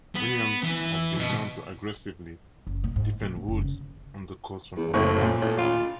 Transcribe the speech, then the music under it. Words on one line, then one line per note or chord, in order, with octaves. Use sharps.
Williams has been known to aggressively defend Woods on the course from overbearing fans.
B3
E3
B2
F#1
A#2
G#2
A#1
F3
F#1
C#3
E2
F#1 A2 C4 C#6
A#2
A2
F4